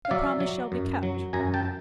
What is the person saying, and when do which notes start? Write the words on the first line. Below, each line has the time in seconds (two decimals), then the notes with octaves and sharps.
'The promise shall be kept.
0.05 F5
0.11 F#3 D5 E5
0.40 F#3
0.72 F#2
1.03 F#3
1.33 F#2 G#5 A#5
1.54 G5 A5